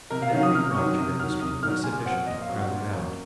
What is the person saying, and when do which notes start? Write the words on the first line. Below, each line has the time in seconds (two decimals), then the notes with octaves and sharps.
In every branch of industry the less efficient are crowded out.
0.10 C3 A#4
0.22 F5
0.32 D#3 F#3 C#4 F5
0.43 D#6
0.54 C3 F6
0.71 C#6
0.76 D#3 F#3 C#4 D#6
0.98 C3 D#6
1.19 D#3 F#3 F6
1.41 C3 D#6
1.63 D#3 F#3 F6
1.84 A#2 G#5
2.05 F#3 C4 F#5
2.27 A#2 D#5
2.42 F5
2.49 F#3 C4
2.56 F#5
2.71 A#2
2.93 F#3 A#3 C#4